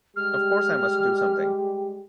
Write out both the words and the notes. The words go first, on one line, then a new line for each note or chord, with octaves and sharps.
Of course I must do something.
G3 G#3 G4 F6